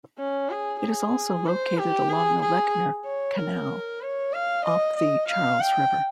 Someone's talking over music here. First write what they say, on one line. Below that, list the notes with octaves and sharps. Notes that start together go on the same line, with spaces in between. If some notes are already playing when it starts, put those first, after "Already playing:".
It is also located along the Lechmere Canal off the Charles River.
C#4
G#4
G#4
C5
G4
G#4
G#4
C#5
A#4
C#5
F5
D#5
D#5
F5
G5